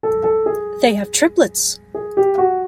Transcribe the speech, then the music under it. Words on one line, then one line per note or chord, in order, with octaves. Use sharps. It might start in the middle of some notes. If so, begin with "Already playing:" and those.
They have triplets.
A4
A4
G#4
G#4
G4
F#4